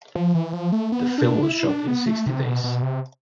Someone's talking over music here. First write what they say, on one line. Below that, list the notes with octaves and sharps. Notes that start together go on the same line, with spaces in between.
The film was shot in sixty days.
F3
E3
F3
A3
B3
D4
E4
D4
B3
A3
C3
B2
B2
C3